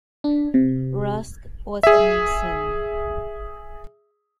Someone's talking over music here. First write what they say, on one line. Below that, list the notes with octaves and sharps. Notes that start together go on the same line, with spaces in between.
Rusk was a Mason.
D4
C3
G#4 E5